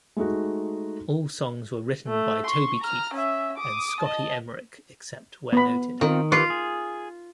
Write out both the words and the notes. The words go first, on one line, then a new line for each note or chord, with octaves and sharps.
All songs written by Toby Keith and Scotty Emerick except where noted.
G#3 A3 D#4 F#4
A3
C6 C#6
A#5 F6
C#4 E5
D6 D#6
D#5 A5
B3 B5
D#3 C4 D#4 F4
F4 G4 B4 C#6
G#4